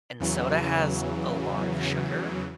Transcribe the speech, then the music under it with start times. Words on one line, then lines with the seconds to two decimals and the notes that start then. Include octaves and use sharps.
and soda has a lot of sugar.
0.20 E2 C#3 E3 F#3